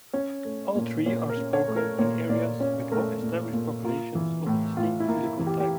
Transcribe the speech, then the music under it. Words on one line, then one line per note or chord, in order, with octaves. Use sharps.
All three are spoken in areas with long-established populations of a distinct physical type.
C#4 C#5
A3
A#2
A#2 C#5
A#4
C#4
C#5
A3
A#4
A#2 C#5
A#2 D5
C#4 C#5
A3 A#4
A#2
A#2
A#3 F4
E3
A2
A2 F4
E4
A#3
E4
E3
G4
G4